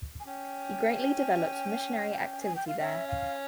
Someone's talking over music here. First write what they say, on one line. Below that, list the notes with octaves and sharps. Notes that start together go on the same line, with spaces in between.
He greatly developed missionary activity there.
G#5
C#4 G5
G#5
G5
F5
C#4 E5
F5